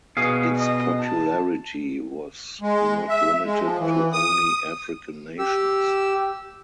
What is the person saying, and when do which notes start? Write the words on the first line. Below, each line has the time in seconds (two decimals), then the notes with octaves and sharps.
Its popularity was not limited to only African nations.
0.17 B2 G#4 F5
0.56 D#5
1.00 A5
2.61 G#3
3.09 E5
3.44 G#3
3.62 F3
3.79 E3
4.13 D#6
5.39 G4 E6